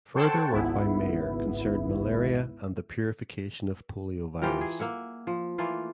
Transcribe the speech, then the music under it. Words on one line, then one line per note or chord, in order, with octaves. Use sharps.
Further work by Mayer concerned malaria and the purification of poliovirus.
A4 C5 C#5 F#5 G5 A5
G#1 C#2 G#2 B3 E4
E3 F4 G4 A#4
G#4
A#3 E5 F#5
F3
E3 A3 A#3 F4